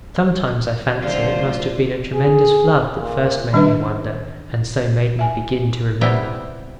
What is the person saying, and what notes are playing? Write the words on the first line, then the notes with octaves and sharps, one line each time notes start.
Sometimes I fancy it must have been a tremendous flood that first made me wonder, and so made me begin to remember.
F#2 D3 A3 F4 G4 C5 D5 F5
G#4
A#2
D#3 G3 C#4 D4 B4 E5
E5 G#5
C3 G3 B3 E4 G5